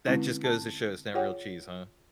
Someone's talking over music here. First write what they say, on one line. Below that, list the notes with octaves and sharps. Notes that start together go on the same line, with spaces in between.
That just goes to show it's not real cheese, huh.
D3 G#3 C4 C#4 E4
A5
F4 G#4 C#5 F#5 G5